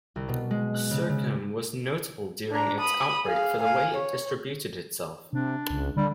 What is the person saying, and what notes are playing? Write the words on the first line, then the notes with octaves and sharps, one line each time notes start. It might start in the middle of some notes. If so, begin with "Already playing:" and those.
Sircam was notable during its outbreak for the way it distributed itself.
C2
B2
G#3
F#6
C#3
C#3
D4 A#5
B5 D#6
G#4 F5
F5 G#5
C#5
C3 D4
C#2
D3 G3